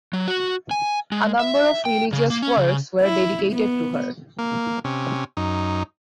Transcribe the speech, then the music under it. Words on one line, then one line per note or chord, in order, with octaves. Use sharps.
A number of religious works were dedicated to her.
F#3
F#4
G#5
G#3
E5
G5
C#3
A#3
C#4
C#3
E4
B3
A#3
C3 C#4
F#2 D#4